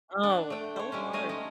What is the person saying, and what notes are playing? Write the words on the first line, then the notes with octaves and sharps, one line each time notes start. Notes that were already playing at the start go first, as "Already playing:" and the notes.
Oh, so hard.
D4 F#5
A3 G5
C5 C#5
G3 G#3 C#4
A3 C#4 D#5 F5 G#5
G#3 D#4